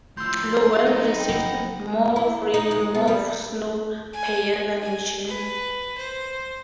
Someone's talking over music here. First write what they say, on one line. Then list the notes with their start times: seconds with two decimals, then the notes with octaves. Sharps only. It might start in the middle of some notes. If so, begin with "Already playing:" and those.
Lowell receives more of rain and more of snow per year than Eugene.
0.17 A2 F3 C6 E6 G6
0.85 F#3 D#4 C6
1.16 G5 B5
1.29 F1 F#3 A#3 F#5 A#6
2.16 E4
2.54 D#4
2.71 G#3
2.95 B3
3.07 G3
4.13 G#5
4.82 G#5
5.27 B4
5.98 C5